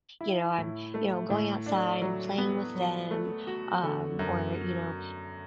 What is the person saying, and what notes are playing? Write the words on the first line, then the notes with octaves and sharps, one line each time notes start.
you know, I'm, you know, going outside and playing with them, um, or, you know,
E4
A2
A3
A2
D4
F#3
B3
F#3
A3
F#4
D3
F#2